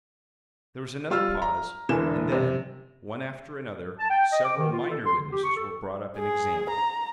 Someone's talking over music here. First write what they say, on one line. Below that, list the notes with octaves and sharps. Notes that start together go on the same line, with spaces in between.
There was another pause and then, one after another, several minor witnesses were brought up and examined.
G3 F4 E6 F6
A#5
E1 D3 E3 E7
C3
A5
G5
D#5
D6
D#3
F4
A4
C6
D3
G4
C#6
A4
G#4
A#5